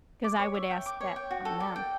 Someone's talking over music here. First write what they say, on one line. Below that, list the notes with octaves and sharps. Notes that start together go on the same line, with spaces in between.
'Cause I would ask that from them.
D6
C#5
E5
G5
D6
C#5
G5
F#4
A4
D5
G5